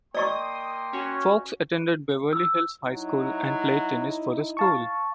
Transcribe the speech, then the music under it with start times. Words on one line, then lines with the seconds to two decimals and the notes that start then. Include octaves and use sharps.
Fox attended Beverly Hills High School, and played tennis for the school.
0.14 A#3 D5 D#5 G5 C6 C#6 D#6
0.93 C#4 F#4
2.33 E6
2.84 F#3 D#4 E4
4.57 F5 A5 C#6